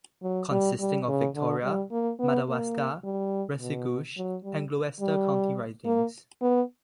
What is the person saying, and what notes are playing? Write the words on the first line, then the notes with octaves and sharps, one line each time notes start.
Consisting of Victoria, Madawaska, Restigouche and Gloucester county ridings.
F#3
G3
G3
C#3
D3
G3
A#3
B3
A#3
G3
B2
F#3
G3
G3
A#3
B3